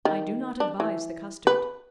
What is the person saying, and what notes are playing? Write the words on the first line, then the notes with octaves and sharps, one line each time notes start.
I do not advise the custard.
D#3
D4
E3
B4